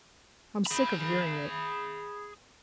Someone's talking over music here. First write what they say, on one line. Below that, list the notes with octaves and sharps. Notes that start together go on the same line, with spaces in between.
I'm sick of hearing it.
G#4 B5